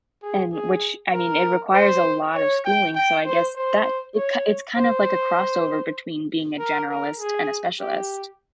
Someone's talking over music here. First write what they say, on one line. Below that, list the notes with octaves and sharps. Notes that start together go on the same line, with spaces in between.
And which, I mean, it requires a lot of schooling, so I guess that it ki it's kind of like a crossover between being a generalist and a specialist.
G#4
G#4
A#4
C5
C#5
G5
G5
C5
C5
C#5
C5
A#4
A#4
G#4
G4